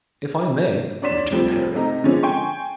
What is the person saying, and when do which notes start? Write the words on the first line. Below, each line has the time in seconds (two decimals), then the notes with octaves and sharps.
"If I may," returned Harry.
1.02 D4 C#5 D5 C6 B6 E7
1.32 C3 F3 G3 A3
1.74 C3 A3 D#4 A#5
2.04 D3 F3 G#3 B3 C#4
2.23 G5 G#5 C6 C#6